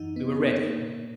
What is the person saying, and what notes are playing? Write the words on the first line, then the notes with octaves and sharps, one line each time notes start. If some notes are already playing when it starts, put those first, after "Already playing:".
We were ready.
Already playing: F#2 E3 D#4
B3
A#3
A#2 A#3